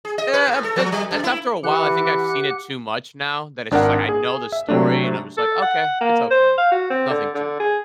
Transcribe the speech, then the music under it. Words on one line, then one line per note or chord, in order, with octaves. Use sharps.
Eh, um, it's it's after a while, I think I've seen it too much now that it's just like, know the story and I'm just like, "Okay, it's okay. It's nothing too great."
G#4
D#5
B4
A2
A4
F3
F#3
F#2
E4
E3 G4 F#5 F#6
G#1 D4 A#4 F#5
G#4
E5
C3 F#3 A3 D4
A4
F#5
A#3
C5
F5
F#4
C4
D3
D3
G#4